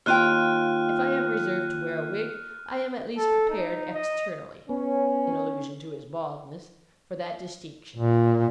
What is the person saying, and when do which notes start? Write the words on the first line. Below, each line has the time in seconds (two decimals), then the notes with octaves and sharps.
If I am reserved to wear a wig, I am at least prepared, externally,' in allusion to his baldness, 'for that distinction.
0.06 D#2 F4 G5 F6 F#6 D#7
3.17 A4
3.50 D#4
3.94 D#5
4.69 B3 C#4
7.96 A#2